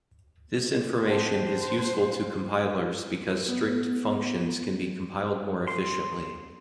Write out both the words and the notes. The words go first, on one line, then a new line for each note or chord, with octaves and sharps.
This information is useful to compilers because strict functions can be compiled more efficiently.
C4 C5 F#5 A5
B3
C6